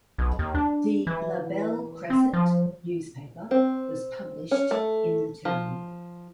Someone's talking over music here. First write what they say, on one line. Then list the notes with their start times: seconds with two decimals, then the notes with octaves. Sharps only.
The "La Belle Cresset" newspaper was published in the town.
0.18 B1
0.39 D#2
0.55 D4
1.07 E3
2.10 C4
2.33 F3
3.51 C4
4.51 C#4
4.71 A3
5.45 F3